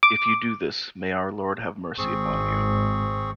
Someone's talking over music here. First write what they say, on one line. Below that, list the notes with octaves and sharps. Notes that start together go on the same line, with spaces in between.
If you do this, may our Lord have mercy upon you.
D6
G#1 C4 G#4 C#6